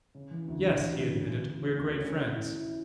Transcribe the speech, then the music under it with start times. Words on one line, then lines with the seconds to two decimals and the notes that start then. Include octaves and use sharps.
"Yes," he admitted, "we're great friends."
0.15 C#3
0.31 E3
0.48 D2
0.64 D2
0.81 E3
0.97 D2
1.13 C#3
1.30 D2
1.45 B3
1.61 C#3
1.78 D2
1.95 C#3
2.10 C#4
2.27 E4
2.43 E4
2.60 E4